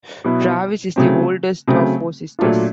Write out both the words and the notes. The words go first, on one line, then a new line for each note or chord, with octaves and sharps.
Travis is the oldest of four sisters.
B2 F#3 B3 E4
C#3 F#3 A3 C4
C#3 F#3 A3 C4
A#2 F#3 A3 D4 F4